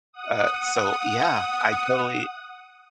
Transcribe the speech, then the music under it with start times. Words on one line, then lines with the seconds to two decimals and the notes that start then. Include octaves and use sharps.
Uh, so yeah, I totally
0.12 F#5 D#6